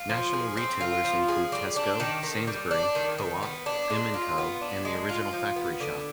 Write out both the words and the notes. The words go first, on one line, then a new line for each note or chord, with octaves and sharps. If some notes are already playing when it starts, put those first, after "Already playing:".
National retailers include Tesco, Sainsbury, Co-op, M and Co and The Original Factory Shop.
Already playing: F4
F3
G#4
C4
F4
F3
G#4
G3
D4
D#3
D#3
G3
D4
D#3
D#3
B3
D4
G#3
F4
B3
D4
G#3
F4
F3
B3
D3